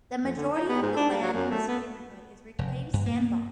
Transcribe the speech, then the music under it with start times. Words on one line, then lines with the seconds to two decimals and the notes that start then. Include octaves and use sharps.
The majority of the land in this neighborhood is reclaimed sandbar.
0.24 F2
0.37 D3
0.55 D#4
0.69 B3
0.82 G#2
0.97 D4
1.10 G3
1.22 F#3
1.34 F#2
1.51 A3
1.68 B3
2.59 F1
2.93 G2
3.06 A#3